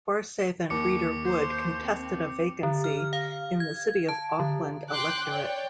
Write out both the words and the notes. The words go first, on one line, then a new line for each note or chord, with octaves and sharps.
Forsaith and Reader Wood contested a vacancy in the City of Auckland electorate.
D#2 D6 C#7
C5
C4
D3
F6
F5
G#6
A5
D3
G5 C6 D6 F#6
C#5 D5 G5